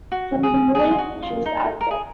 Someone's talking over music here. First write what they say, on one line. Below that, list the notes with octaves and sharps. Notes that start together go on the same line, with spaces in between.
From the "Moving Pictures" album.
F#4
G#4
G#4
F4
F#4
F4
D#4
A#4
G#4